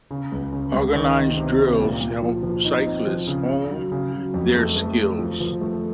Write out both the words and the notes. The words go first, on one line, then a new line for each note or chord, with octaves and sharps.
Organized drills help cyclists hone their skills.
C#3
C#2
C#3
C#2
D#3
C3
C3
C3
A#2
A#2
F3
F3
D#4
C4
F3
C#3
C#3
F#3
C#3
F#3
F2
A3
A3
A3
F3
F3
A3